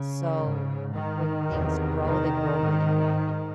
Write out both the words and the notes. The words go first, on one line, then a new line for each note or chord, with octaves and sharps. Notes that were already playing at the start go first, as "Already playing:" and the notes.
so when things grow, they grow really rapidly.
Already playing: C#3
G#2
D#3
E2 C3
D#3
G#2